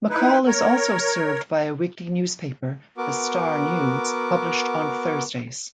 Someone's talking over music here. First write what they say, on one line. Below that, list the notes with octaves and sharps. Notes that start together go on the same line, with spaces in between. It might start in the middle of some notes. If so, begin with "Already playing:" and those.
McCall is also served by a weekly newspaper "The Star News", published on Thursdays.
D#4 E4 B4
A#4 C#5
B3 F#4 A#4 D6